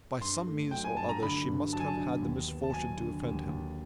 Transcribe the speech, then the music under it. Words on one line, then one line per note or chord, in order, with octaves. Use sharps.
By some means or other she must have had the misfortune to offend him.
G2 C6
A3
F#3 G5
G#5
G2 A5
A#5
D3 B5
G2
F#3 A5
G#5
A5
D3
D#2
B3
A5
F#3 G#5
D3
D#2
D#2